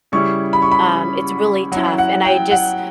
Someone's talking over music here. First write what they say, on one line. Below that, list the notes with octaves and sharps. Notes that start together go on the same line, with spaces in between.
Um, it's really tough, and I just
C#3 G3 C#4 E4 C#6
B5
C#6
B5
F#3 C#4 E4
F#5
G5
F#5